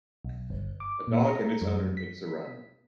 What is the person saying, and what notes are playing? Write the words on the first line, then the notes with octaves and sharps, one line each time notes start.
A dog and its owner takes a run.
B1
G1
D6
A#2
A#5
F#2
B6